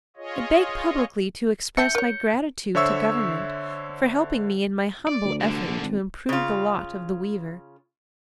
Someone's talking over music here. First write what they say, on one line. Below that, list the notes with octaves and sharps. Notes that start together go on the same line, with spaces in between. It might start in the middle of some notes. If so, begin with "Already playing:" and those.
I beg publicly to express my gratitude to Government for helping me in my humble effort to improve the lot of the weaver.
F4 G#4 C#5 D#5
C#3 E5 A5 G6 C#7
A#4 C#5
D3 C5 C#5 E5 C#6 E6
D5
D2
C2 D3
A#1
G#1
C#3 F4